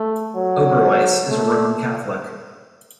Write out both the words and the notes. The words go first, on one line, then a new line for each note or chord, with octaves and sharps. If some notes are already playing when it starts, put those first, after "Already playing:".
Oberweis is a Roman Catholic.
Already playing: A3
F#3
A3